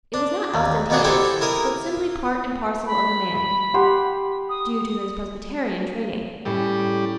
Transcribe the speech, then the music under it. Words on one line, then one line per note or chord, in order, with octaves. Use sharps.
It was not ostentatious, but simply part and parcel of the man, due to his Presbyterian training.
D4
D#2
B2 D#3 D4 F#4 G#4
E4 G4 A4 C5 E5
E4 A#4 D#6
B5
G4 F#5 C6
D#6
A2 G3 C#4 E6